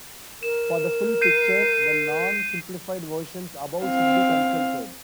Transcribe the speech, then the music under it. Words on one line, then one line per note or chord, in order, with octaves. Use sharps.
For the full picture, the non-simplified versions above should be consulted.
A#4 E7
G6 C7 D#7
C4 F5